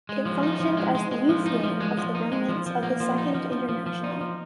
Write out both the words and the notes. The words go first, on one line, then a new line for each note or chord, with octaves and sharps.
It functioned as the youth wing of the remnants of the Second International.
G#3
F3
D#4
F3
G#3
G#3
G#3
F3
D#4
F3
G#3
F3
D#4
G#3
F3
F3
A#3
F3
D#4
F3
F3
F3
F3
D#4
F3